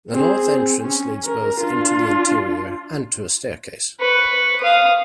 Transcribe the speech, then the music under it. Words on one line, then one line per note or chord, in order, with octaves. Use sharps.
The north entrance leads both into the interior and to a staircase.
C4 G#4
C#4
A#4
D4 F4
B4 C#6
F5 D#6